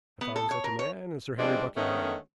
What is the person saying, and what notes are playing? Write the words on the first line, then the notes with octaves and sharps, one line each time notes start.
I found such a man in Sir Henry Buckingham.
B3
A4
C#5
A#4
C#5
E3 F3 G3 G#3 C4 D4
D3 D#3 G#3 A3 B3 C#4